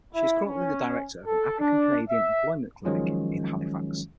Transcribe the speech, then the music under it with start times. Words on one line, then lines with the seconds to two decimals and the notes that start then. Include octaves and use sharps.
She is currently the director of the African-Canadian Employment Clinic in Halifax.
0.14 E4
0.46 C#4
1.26 A4
1.59 D4
2.09 E5
2.85 D#3 F3 F#3 G#3 C#4 F4